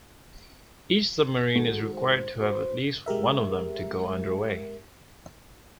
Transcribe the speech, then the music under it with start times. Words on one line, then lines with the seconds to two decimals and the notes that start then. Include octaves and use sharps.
Each submarine is required to have at least one of them to go underway.
1.55 D#3 F#3 G#3 A4
1.94 C5
2.40 F#4 B4 C5
3.06 G#3 G4 A#4 E5